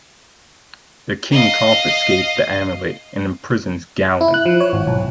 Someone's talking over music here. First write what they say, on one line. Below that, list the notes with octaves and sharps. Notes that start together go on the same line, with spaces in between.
The king confiscates the amulet and imprisons Galen.
D#5 F5
E4
F#6
F3
C#5
G#1
B1